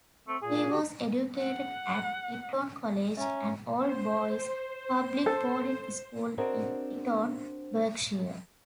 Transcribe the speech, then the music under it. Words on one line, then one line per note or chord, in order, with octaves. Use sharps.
He was educated at Eton College, an all-boys public boarding school in Eton, Berkshire.
A3 C4
A#2 G#4
D3 F#4 G4
F#5
C#4 E5 A#5
C5
A4
C4 D4 F#4 G#4 A#4 D#5